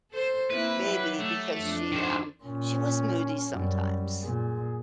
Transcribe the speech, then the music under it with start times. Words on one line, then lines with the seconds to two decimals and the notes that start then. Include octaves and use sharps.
maybe because she, um she was moody sometimes.
0.11 A4 C5
0.50 A#3 C4 E4 B4
0.85 F#3 G3
1.20 A3
1.57 F2 D4
1.92 D#3 C5
2.44 A#2 C#4
3.51 F#2 G3
4.23 A#2 G#4